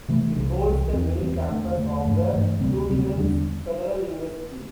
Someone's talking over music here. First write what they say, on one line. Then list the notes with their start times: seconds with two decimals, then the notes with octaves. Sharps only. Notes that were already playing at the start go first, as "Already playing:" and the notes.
It holds the main campus of the Fluminense Federal University.
0.08 C3 E3 A3
0.36 C2 C3 E3
0.65 C2 C3 E3
0.93 E2 E3 C4
1.20 E2 E3 C4
1.49 E2 D3 A3
1.77 E2 D3 A3
2.04 G2 E3 A3
2.32 G2 E3 A3
2.60 D2 C3 G3 C4
2.89 D2 C3 G3 C4
3.16 E2 D3 G3 D4